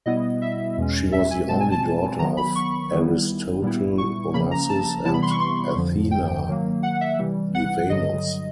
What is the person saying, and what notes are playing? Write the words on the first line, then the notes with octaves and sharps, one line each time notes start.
She was the only daughter of Aristotle Onassis and Athina Livanos.
B2 G3 B3 E4 D#5
E5
E2 B2 G#3 C#4
E5
G#5
B2 G#3 C4 A5
G#5
A5
D#3 F#3 B3 A#5
B5
C#6
D#3 G3 B3 E4
A#2 G3 B3 E4
C#6
C#3 F3 A#3 C#4 B5
A#5
A5
C3 E3 G3 B3 E4 A5
B5
C6
C#6
C6
F2 D3 F3
G5
D#3 F#3 A#3
F#5
E5
C3 E3 G3
F#5
G2 D3 F#3 D#5